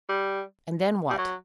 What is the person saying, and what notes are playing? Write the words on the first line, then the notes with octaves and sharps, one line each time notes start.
"And then what?"
G3
G3
F#3